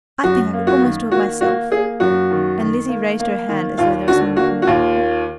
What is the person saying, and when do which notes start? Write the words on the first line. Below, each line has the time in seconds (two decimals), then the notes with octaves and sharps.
"I think I could almost do it myself." And Lizzie raised her hand as though there were some weapon in it.
0.24 F#2 F#4
0.53 A#3
0.67 F#4
0.82 D#3
1.12 A#3 F#4
1.41 A#3 F#4
1.70 A#3 G#4
2.00 F#2 F#4
2.31 D#3
2.60 D#3
2.89 A#3
3.20 A#3
3.49 D#3
3.78 D#2 F4
4.08 D3 F#4
4.37 A#3 F#4
4.62 F#4
4.67 D#2 F4
4.96 A#3